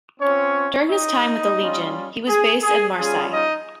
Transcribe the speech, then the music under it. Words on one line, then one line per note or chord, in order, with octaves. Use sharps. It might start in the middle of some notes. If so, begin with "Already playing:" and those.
During his time with the Legion, he was based at Marseille.
C4 C#4 F4 C#5
D#4 D#5
G3 C#4 F4
G#4
G#4
G3 C#4 F4 G#4
D#4 D#5